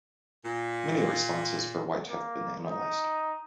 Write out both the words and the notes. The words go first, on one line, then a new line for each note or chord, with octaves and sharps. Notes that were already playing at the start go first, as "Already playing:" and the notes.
Many responses for White have been analysed.
A#2
A#3
D#4